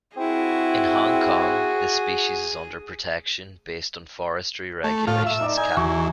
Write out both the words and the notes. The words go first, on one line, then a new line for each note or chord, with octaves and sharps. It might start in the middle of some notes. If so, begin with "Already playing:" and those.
In Hong Kong, this species is under protection based on Forestry Regulations Cap.
C4 E4 F#4 G#4
A3
A2 F4
E5
D#4 D5 A#5
D#4 G#5
E2 F#4 G#5 C#6